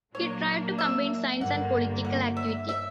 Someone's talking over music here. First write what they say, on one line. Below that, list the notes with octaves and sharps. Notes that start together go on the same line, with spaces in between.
He tried to combine science and political activity.
A#2 F#3 A#3 D4 C#5
E5
G1 G2 D3 A#3 F#5
F#5
E5
E5